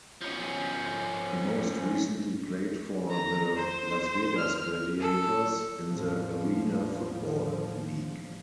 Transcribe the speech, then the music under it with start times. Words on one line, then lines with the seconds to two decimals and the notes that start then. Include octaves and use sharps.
He most recently played for the Las Vegas Gladiators in the Arena Football League.
0.22 F3 C#4
3.10 A#5
3.56 C5
4.38 F6
5.00 A4
5.93 A1 E2 A2 F3 G3